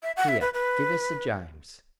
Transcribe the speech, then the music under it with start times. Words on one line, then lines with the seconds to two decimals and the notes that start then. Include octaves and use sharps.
"Here, give us a james."
0.03 E5
0.17 F#5
0.29 E5
0.41 B4
0.54 B4